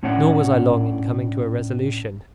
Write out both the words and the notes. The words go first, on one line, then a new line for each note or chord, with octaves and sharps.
Nor was I long in coming to a resolution.
A2 C#4 D4 C#5 F#5